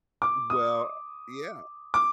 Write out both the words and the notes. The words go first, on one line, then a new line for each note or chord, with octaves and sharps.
Well, yeah
D6
D#6
D6